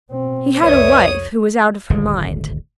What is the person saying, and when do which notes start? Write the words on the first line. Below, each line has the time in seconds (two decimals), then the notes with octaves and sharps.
He had a wife who was out of her mind.
0.10 B2 C4
0.63 C2 F2 B4 C#5 D5 E5 D#6
1.90 D#1 G#1 D2 D3